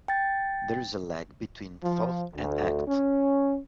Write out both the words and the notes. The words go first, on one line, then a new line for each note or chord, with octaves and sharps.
There is a lag between thought and act.
G5 A6
F3
D2
C#4